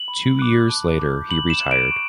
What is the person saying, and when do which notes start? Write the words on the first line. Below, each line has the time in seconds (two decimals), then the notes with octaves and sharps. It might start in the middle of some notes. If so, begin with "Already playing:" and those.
Two years later he retired.
Already playing: F#7
0.08 B5
0.39 D6 F#6
0.69 A5
1.00 D6 G6
1.29 B5 F#7
1.50 E7
1.60 F#6
1.71 D7
1.91 C#6